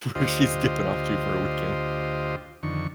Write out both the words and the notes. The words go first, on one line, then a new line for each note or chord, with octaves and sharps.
who she's skipping off to for a weekend.
D2 F4 G4 C5 D#5
F2 D3 D#3 C#6